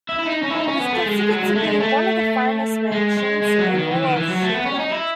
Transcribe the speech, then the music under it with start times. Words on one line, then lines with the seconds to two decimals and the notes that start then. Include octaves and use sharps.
It is considered to be one of the finest mansions in all of Shetland.
0.09 E4
0.19 E4
0.26 D#4
0.43 C#4
0.50 E4
0.54 D#4
0.67 C#4
0.80 B3
0.92 A3
1.05 G#3
1.17 G#3
1.30 F#3
1.43 G#3
1.55 A3
1.67 G#3
1.80 A3
2.92 G#3
3.17 G#3
3.42 G#3
3.58 F#3
3.75 D#3
3.91 E3
4.04 D#3
4.16 E3
4.29 F#3
4.41 A3
4.54 B3
4.66 C#4
4.79 D#4
4.91 E4